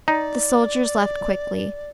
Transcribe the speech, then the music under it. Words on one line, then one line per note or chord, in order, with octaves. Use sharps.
The soldiers left quickly.
D#4 D5